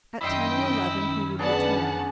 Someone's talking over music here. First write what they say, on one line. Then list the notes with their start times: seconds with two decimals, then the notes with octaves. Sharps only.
At ten or eleven he would return.
0.21 F#2 D#3 C#4 E4 D#5 E5 G5 C6
1.39 B3 D4 G#4 F#5 A5